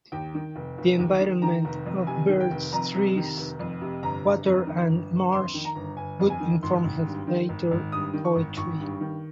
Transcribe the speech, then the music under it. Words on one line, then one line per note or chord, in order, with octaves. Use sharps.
The environment of birds, trees, water and marsh would inform her later poetry.
D#2 G5
D#3
F1
F1
D#2
D#3
D#3 A#5
F1
F2
C3 G#5
D#3
G5
F1
F2 A#5
C3
D#3
F1
F2
C3
G1 A#5
G1
F2
D#3
G1
G1
F2 C6
D#3
A#5
G1
G1 G#5
F2
G#5
D#3
G#1 C6
G#1
G2
D#3
G#1
G#1
G2 D#6
D#3
C#6
G#1
G#1 C#6
G2
D#3